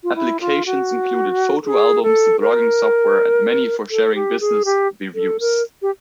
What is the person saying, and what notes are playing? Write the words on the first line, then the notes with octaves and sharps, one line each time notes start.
Applications included photo albums, blogging software, and many for sharing business reviews.
F4
E4
F4
F#4
G#4
A4
A#4
A4
G4
G#4
G4
A4
A#4
G4